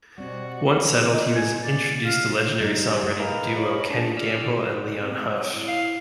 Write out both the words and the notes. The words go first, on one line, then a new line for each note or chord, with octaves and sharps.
Once settled, he was introduced to legendary songwriting duo Kenny Gamble and Leon Huff.
B2 G3 C4 F#4 D5
D#5
G#5
D5
F5
G2 G3 D#4
G#4 A#4 B4 D#5 F5 A#5
C#5 D#5 B5
D4 G#4 A5
D5 E6 F6
C4
C#5
E4
F5